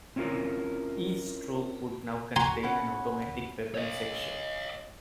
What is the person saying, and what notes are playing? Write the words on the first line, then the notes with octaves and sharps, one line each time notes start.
Each troop would now contain an automatic weapons section.
C4 C#4 E4 F4 A#4
F#4 G#5 A#5 C6
B3 C#4 F#5
C#5 D#5